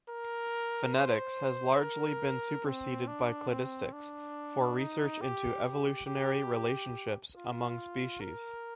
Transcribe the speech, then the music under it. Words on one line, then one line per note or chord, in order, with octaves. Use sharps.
Phenetics has largely been superseded by cladistics for research into evolutionary relationships among species.
A#4
C5
A#4
C4
D4
C4
D4
D#4
G4
G4
G4
F4
A#4